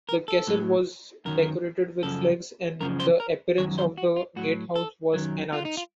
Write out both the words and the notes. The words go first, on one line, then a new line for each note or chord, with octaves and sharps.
The castle was decorated with flags and the appearance of the gatehouse was enhanced.
A#4
A4
A2 F#3
F#2 D#3 F#3 A#4
F#2 C#3 F3 A4
F#2 C#3 F3 A#4
C5
A#4
F#2 D#3 F#3 C#5
C5
F#4
F4
A2 F#3 F#4
A4
F#2 D#3 F#3
F4
D#4
F4